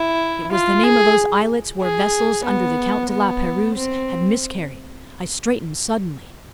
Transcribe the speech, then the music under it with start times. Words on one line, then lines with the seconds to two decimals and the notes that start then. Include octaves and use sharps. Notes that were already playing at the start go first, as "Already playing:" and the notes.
It was the name of those islets where vessels under the Count de La Pérouse had miscarried. I straightened suddenly.
Already playing: E4
0.52 F4
0.83 G#4
1.81 G#4
2.45 B3
3.09 B3
3.75 C4